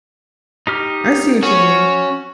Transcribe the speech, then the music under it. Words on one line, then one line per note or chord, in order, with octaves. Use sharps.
I see what you mean.
D#4 G4 F6
C#4 F#4